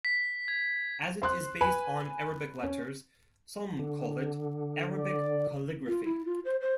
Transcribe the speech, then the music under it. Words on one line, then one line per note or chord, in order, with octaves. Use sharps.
As it is based on Arabic letters, some call it "Arabic calligraphy".
B6
G#6
C5 C6 F#6
B4 G#5
C#4
D3
D5
F4
E4
F4
C5
C5